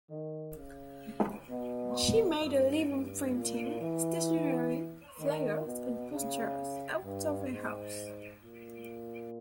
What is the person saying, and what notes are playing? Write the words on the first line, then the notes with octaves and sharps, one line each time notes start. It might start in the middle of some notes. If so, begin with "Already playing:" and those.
She made a living printing stationery, fliers, and posters out of her house.
D#3
C#3
B2
G2
G2
A#2
E3
D#3
B2
C#3
G2
G#2
A#2